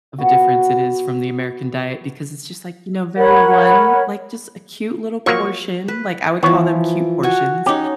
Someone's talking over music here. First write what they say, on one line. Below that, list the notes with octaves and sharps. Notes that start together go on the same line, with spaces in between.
of a difference it is from the American diet, because it's just, like, you know, very one like, just a cute little portion, like, I would call them cute portions,
B3 F#4
A#4 C#5 F#5 B5
F3 F#3 A#3 C#6
B4
E3 F3 B3 C#5
F#4 G#5
C#4 D#4 G4